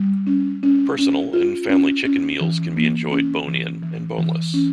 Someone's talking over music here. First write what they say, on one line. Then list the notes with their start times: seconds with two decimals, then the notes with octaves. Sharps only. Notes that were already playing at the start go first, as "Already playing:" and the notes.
Personal and family chicken meals can be enjoyed bone-in and boneless.
Already playing: G3
0.27 C#4
0.63 C#4
0.99 C#4
1.33 F4
1.69 C#4
2.05 C#4
2.41 E3
2.76 A#3
3.12 C#4
3.47 E3
3.82 E3
4.18 E3
4.54 C#4